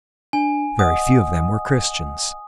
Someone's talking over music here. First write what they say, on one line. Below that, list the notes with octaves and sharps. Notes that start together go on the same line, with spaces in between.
Very few of them were Christians.
D4 G#5
D#5 F#5 D#6